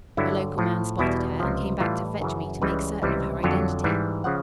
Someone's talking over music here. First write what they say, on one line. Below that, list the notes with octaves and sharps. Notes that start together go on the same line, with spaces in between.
A local man spotted her and came back to fetch me to make certain of her identity.
G2 D3 F#3 E4
A2 F3
E2 B2 G3 E4
C#2 C3 F3
A2 E3 G3 F4
F#2 C#3 E3
C#2 C#3 E3 G3 B4
C#2 C3 E3 G3
F2 D3 F#3 C#5
G#2 E3 G3
C#3 F3 F#5